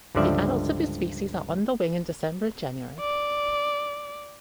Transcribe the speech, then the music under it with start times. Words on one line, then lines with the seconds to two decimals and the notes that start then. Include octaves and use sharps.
The adults of this species are on the wing in December and January.
0.15 C#2 G2 D3 F3 D5 E5
3.00 D5